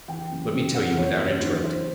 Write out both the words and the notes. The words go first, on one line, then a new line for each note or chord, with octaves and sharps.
Let me tell you without interrupting.
E2 G5
F#1
C#3
E2 F#5
F#1 C#5
F#1 C#5
E3 C5
E3 C5